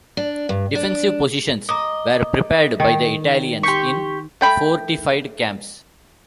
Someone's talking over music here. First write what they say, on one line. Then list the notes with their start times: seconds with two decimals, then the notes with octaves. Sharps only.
Defensive positions were prepared by the Italians in fortified camps.
0.17 D4
0.49 G2
0.75 D4
1.69 D#5 A#5 D6 D#6
2.80 D#3
3.63 G4 C6 C#6 G6 B6
4.41 A3 G5 B5